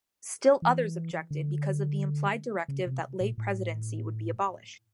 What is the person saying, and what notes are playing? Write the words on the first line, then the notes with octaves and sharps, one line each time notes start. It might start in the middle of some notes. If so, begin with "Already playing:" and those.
Still others objected because of the implied directive that lay presidency would be abolished.
E3
D3
C#3
C3
A#2
A2